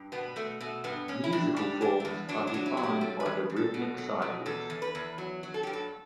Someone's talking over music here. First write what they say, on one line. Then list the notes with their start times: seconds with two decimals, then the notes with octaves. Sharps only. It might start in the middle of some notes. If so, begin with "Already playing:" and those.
Musical forms are defined by the rhythmic cycles.
Already playing: G2
0.12 B2 B3
0.36 B2 A3
0.60 B2 A3
0.84 G2 B3
1.08 G2 C#4
1.24 E4
1.32 G2 D4
1.57 G3 D4
1.81 E2 D4
2.00 A3
2.05 E2 B3
2.29 F#3 D4
2.47 D4
2.54 F#3
2.66 E4
2.77 F#3
2.83 G4
3.01 G3 A4
3.20 B4
3.26 E3
3.50 G2
3.56 A4
3.74 B2
3.98 F#3
4.22 B2
4.46 E2 A4
4.70 E2
4.82 B4
4.95 E2
5.18 F#3
5.43 F#3
5.54 A4
5.63 G2 G4
5.73 A4